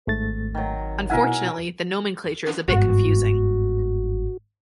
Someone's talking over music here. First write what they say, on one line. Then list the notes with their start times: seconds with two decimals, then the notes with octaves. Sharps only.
Unfortunately, the nomenclature is a bit confusing.
0.07 G#1 G#2 A3 A6
0.55 D#3 F#3
1.10 B2 E4 A#4 E5 F#5 G#5
2.68 G1 G#2 F#4